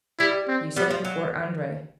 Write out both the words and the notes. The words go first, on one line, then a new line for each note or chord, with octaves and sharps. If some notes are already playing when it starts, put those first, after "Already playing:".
You said it before Andrey.
G3 E4
C4
G3 B3
F3
F#3